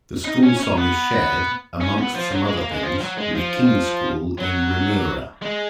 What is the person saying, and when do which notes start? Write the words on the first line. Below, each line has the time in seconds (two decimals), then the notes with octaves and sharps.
The school song is shared, amongst some other things, with King's School in Remuera.
0.25 D#4
0.43 C#4
0.59 C#4
0.77 B3
1.81 C#4
1.98 B3
2.15 F3
2.32 F#3
2.45 G#3
2.58 A#3
2.71 G#3
2.83 F3
3.01 F#3
3.18 G#3
3.35 F3
4.39 F#3
5.42 G#3